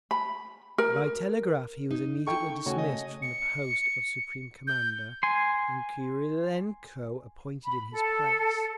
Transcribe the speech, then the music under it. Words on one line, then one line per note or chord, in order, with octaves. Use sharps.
By telegraph he was immediately dismissed from the post of Supreme Commander, and Krylenko appointed in his place.
B5
A#4
D#4
A4 G5 C#6 G6
C#3 A3 F#4 C#5 G#5
D#5
C#7
G6
G#5 C6
B5
A4